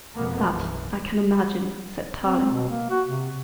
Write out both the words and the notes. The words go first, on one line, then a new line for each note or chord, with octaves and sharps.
"That I can imagine," said Tarling.
F2 B2 G#3 A#3 B3
B1 F#2 E3
C4
B2
A#3
F#4
C3